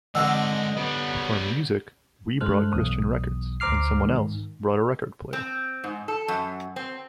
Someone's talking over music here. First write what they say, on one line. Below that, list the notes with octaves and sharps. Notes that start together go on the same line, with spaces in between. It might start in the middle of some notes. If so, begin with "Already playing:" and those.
For music, we brought Christian records and someone else brought a record player.
D3 G#3 C4 B4 D#5 F#5 E6
G3 B3 C#5
G2 G#3 A4 C5 F6 F#6
B1 E2 D#6
D2 C5 A#5 D6 F6 C7
G#2 D#3
C4
G#2
A4
F#2
C4